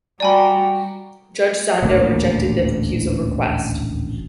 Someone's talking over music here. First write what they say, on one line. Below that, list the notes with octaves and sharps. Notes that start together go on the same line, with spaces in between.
Judge Zondo rejected the recusal request.
G3 F#4 D5 G5 G#5 A#5 B5
D#1 A1 D2 A#3